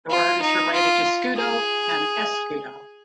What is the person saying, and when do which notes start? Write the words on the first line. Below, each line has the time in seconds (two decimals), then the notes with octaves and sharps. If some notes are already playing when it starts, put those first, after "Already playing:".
The word is related to scudo and escudo.
0.10 F4
0.42 D#4
0.74 F4
1.37 G#4